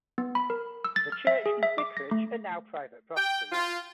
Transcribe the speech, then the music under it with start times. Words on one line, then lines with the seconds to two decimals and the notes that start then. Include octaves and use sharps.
The church and vicarage are now private properties.
0.18 B3
0.35 B5
0.50 A#4
0.84 E6
0.96 A6
1.12 F6
1.27 E5
1.46 G#4
1.63 E5
1.78 D6
1.97 A#6
2.11 A3
3.16 G5
3.51 F4